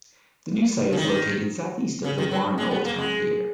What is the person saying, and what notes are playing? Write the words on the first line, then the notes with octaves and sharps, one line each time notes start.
The new site is located southeast of the Warren Old Town Theater.
C#3
D#3
C#3
D#3
F#3
G#3
B3
A#3
G#3